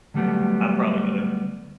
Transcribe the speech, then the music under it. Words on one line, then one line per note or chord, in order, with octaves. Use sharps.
I'm probably gonna.
D3 F#3 G3 A3 B3